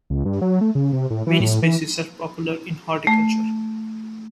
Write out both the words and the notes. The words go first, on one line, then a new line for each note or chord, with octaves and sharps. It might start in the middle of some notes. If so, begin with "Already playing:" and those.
Many species are popular in horticulture.
C#2
G2
F#3
A3
C#3
C3
A2
E3
A2
E3
A3